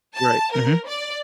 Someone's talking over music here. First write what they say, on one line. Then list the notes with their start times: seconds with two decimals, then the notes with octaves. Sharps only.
Right, mhm.
0.16 A5
0.52 A#4
0.87 D5